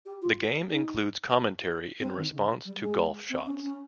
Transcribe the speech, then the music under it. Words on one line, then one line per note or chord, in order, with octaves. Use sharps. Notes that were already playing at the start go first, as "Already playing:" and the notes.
The game includes commentary in response to golf shots.
G4
F4
D#4
C4
D#3
C#3
G3
G#3
C4
C#4
C#4